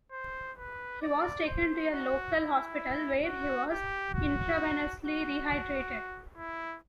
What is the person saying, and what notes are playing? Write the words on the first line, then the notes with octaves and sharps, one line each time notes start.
He was taken to a local hospital where he was intravenously rehydrated.
C5
B4
D5
C5
F#4
E4
F#4
G4
F#4
F#4
E4